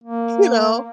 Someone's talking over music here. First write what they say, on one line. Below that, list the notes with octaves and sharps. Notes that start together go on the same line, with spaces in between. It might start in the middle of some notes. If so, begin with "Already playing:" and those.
You know?
A#3